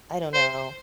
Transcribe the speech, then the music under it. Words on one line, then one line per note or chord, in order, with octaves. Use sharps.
I don't know.
C5